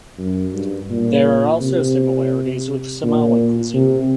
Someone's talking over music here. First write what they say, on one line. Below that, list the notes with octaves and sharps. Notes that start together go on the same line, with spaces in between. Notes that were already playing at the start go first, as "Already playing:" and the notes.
There are also similarities with Somali cuisine.
F#2
G2
A#2
C3
A#2
C3